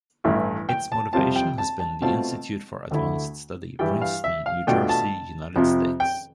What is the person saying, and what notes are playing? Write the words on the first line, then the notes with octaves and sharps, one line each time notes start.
Its motivation has been the Institute for Advanced Study, Princeton, New Jersey, United States.
A1 G2 E3 A3
G5
A5
F2 C3 G3 C4 F4 A5
G5
A5
A5
B2 A3 C4 F4 A5
D2 D3 A3 E4
G2 E3 G3 G5
F5
E5
F5
B2 A3 D4 F4 G5
A5
F2 C3 F3
G5